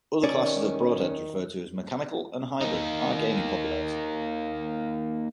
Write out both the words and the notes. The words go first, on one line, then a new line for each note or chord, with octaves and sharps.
Other classes of broadheads referred to as "mechanical" and "hybrid" are gaining popularity.
D#3 C#4 D5
A#3 D#4